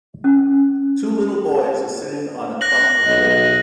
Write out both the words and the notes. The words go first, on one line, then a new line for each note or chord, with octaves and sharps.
Two little boys are sitting on a clump of dirt.
C#4
F#6 A#6 F#7
B1 D#5